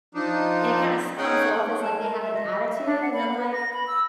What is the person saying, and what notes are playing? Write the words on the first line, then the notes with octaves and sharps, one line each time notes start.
And it kinda s comes off as like they have an attitude, and I'm, like,
F3 D4 D#4
C#4 D#4 G#4 F#5 G5
A5
A#4
E5
D#5
E5
D4
F#5
B5
B4
A#6
B5
E6